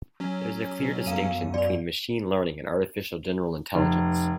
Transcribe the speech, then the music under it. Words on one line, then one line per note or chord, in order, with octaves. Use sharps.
There is a clear distinction between machine learning and artificial general intelligence.
F#3 C#4
B2
F#2 B3 F5 D#7
D5 F7
F1